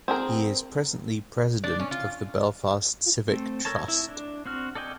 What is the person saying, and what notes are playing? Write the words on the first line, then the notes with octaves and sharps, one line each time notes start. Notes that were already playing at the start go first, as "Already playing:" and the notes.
He is presently President of the Belfast Civic Trust.
C4 G#4 A#4
D4
C#4
F4
A3 C4
A4 A#4 C#5 A5
E4
D4
C4 F#4 F6
A4 D5 D#5 G5 G#5